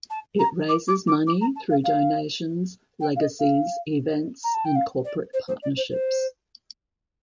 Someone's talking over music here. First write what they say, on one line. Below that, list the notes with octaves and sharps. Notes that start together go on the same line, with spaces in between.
It raises money through donations, legacies, events and corporate partnerships.
A5
A#5
D6
D6
D6
D6
A#5
A5
F5
F5
G5
F5
D#5
F5
A#5
A5
G5
F5
D5
C5
C5
D5
C5
C5